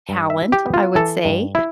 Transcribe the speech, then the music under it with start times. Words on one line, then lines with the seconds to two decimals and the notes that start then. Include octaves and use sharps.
talent, I would say,
0.09 G2
0.30 E5
0.37 E4
0.52 G4
0.66 B3
0.74 F4
0.95 E3 A4
1.25 G2
1.55 E4